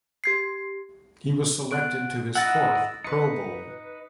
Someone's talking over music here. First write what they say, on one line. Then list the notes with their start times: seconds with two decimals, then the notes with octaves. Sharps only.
He was selected to his fourth Pro Bowl.
0.24 G4 G#6 C7
1.71 B3 F#6 D7
2.35 D#4 E4 F#5 E6 A6 A#6
3.04 D#4 B4 C#7